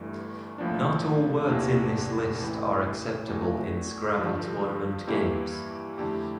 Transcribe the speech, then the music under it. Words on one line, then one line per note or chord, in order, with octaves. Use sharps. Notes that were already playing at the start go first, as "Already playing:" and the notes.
Not all words in this list are acceptable in "Scrabble" tournament games.
Already playing: G1 G2 E3 A3
A1 A2 F3 A#3 D4
E2 C3 E3 A#3 D4
A1 A2 E3
E2 E3 A3
G2 D3 F3
G2 E3 A#3 E4 G4
F2 D3 A3 E4 G4